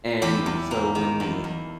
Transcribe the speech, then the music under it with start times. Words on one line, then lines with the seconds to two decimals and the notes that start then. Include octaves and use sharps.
And so, when we
0.22 E2 G4
0.46 E2
0.71 A#3
0.95 D#3
1.20 E2
1.44 E2